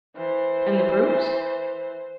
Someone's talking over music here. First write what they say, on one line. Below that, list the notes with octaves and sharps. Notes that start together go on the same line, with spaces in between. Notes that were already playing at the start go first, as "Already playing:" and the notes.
"And the proofs?"
E3 C5